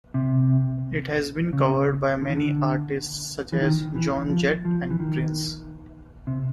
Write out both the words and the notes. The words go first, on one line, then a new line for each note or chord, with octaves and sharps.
It has been covered by many artists such as Joan Jett and Prince.
C3
C#3
D3
D#3
D3
E3
D#3
E3
F3
F3
E3
D#3
C3